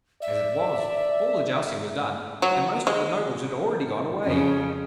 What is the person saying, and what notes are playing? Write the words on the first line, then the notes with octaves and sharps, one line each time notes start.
As it was, all the jousting was done, and most of the nobles had already gone away.
D5 E5
F#3
G#3
F2 C#3 C#4